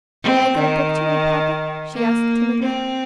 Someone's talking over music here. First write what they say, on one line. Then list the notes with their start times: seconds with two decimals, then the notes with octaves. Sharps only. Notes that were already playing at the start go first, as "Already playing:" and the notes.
"May I get a book to read, papa?" she asked timidly.
0.24 C4
0.58 D#3
1.94 A#3
2.63 C4